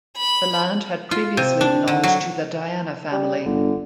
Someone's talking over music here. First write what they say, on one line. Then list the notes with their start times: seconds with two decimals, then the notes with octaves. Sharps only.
The land had previously belonged to the Diana family.
0.17 B5
1.11 F4
1.37 C3
1.61 D4
1.87 D3
2.03 F#3
3.12 G3
3.45 G1 D3